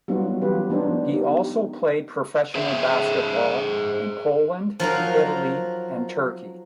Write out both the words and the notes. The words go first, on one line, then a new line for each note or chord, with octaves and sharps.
He also played professional basketball in Poland, Italy and Turkey.
F#3 G3 B3 D#4 F4 F#4
E3 G3 C#4 F4 G4 B4
F3 B3 D4 D#4 C5 C#5
B3 D#4 G4
G#4 C5 E5
F3 F#3 D#4 A#4